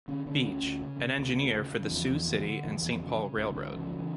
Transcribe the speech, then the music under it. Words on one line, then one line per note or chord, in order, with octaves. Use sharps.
Beach, an engineer for the Sioux City and Saint Paul Railroad.
D3 C#4
D3 C#4
D2 C#4
D2
C#3
C#3
D2
D2
C#3
C#3
E3
E2 F3
E2
D3
D3
F2 E3
F2
C#3
C#3
C#2 D3
E3
C#2 D3
C#3 E3
F3
C#3
E3